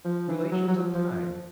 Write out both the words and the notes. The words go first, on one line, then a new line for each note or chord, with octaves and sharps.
Relations of Time.
F3
E3
F#3
F#3
F3
F3
F3